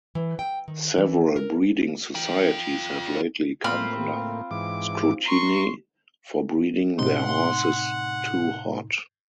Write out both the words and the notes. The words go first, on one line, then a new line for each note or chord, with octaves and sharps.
Several breeding societies have lately come under scrutiny for breeding their horses too "hot".
E3
G5
D#3
E3
A#4
F4 G5
A2 A#3 C4 F4 B5 F6
G#2 E3 D6
A#5 C6 C#6
A2 C3 D#4 F#5 C6